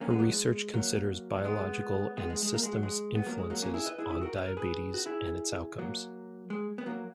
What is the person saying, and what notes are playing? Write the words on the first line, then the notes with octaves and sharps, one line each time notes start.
Her research considers biological and systems influences on diabetes and its outcomes.
A#3 C#4
G#3 B3
F#3 A#3
G#3
F#3 A#3
G#3 B3
G#3 B3
G#3
G#3
A#3
G#3
F#3
G#3
B3
F#3 A#3
G#3
F#3 A#3
A#3 C#4
E4 G#4
B4 D#5
E4 G#4
E4 G#4
F#4 A#4
B4
A#4
G#4 B4
F#4
E4 G#4
F#3 A#3
G#3
B3
F#3 A#3